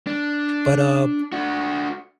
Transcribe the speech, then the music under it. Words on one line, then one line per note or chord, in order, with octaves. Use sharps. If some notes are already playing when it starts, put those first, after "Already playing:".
But, uh,
D4
D4 F#4